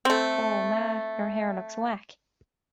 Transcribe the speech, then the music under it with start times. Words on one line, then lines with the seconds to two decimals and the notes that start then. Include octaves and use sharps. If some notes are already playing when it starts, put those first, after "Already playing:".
Woah, ma, your hair looks wack.
0.05 A3 C4